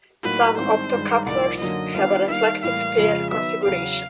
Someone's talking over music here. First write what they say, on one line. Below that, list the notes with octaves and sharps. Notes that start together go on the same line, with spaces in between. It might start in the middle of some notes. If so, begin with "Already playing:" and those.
Some optocouplers have a "reflective pair" configuration.
A2 F#3 A#3 D#4 F#4 B4
G#2 D#3 G3 C4 E4 C5
G2 D#3 G#3
C2 A#2 F3 A#3 D#4 D5
F#2 D3 F#3 A#3 D#4 D#5
D#3 G3 B3 D4 F4 F5
D#3 G3 A#3 F5
A2 E3 G3 A#3 F5
F2 C#3 F3 G#3
D#3 F#3 B3 E5
E2 C#3 F#3 F5